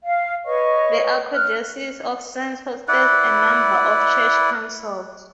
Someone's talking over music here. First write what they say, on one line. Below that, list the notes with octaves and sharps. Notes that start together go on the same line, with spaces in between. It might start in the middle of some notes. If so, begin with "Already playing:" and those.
The Archdiocese of Sens hosted a number of church councils.
F5
B4 C#5 D#5 C#6
F6 F#6
E4 B4 D5 F#5